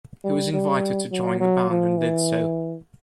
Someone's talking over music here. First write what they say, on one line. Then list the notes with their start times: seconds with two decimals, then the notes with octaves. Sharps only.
He was invited to join the band, and did so.
0.24 G3
0.53 G3
1.11 F#3
1.40 F#3
1.70 F3
1.98 E3